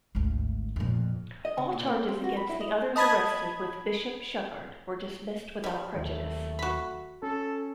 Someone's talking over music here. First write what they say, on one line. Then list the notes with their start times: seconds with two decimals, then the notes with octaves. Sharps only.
All charges against the others arrested with Bishop Schuckardt were dismissed without prejudice.
0.15 G#1 D2
0.76 F2 A#2
1.45 D#5
1.57 C#3
1.73 A#2
1.87 A#3
2.08 C4
2.24 F#4
2.37 B5
2.49 E4
2.61 D#5
2.96 D#5 A5 B5 D#6 G#6
5.64 F3 G3
5.94 D#2 D#3 F#3 A3
6.59 F#4 B5
7.23 C#4 A4